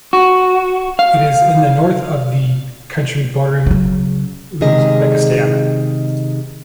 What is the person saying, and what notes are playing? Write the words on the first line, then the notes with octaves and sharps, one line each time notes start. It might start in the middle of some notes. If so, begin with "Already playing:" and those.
It is in the north of the country, bordering Uzbekistan.
F#4
F5
C#3 F#3
C3 D#3 G#3 G#4 D#5